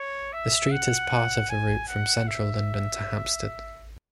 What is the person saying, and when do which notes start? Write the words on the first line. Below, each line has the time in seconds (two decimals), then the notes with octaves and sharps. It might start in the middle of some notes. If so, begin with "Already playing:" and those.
The street is part of the route from central London to Hampstead.
Already playing: C#5
0.33 E5
0.71 F#5
1.49 G#5
1.88 F#5
2.27 E5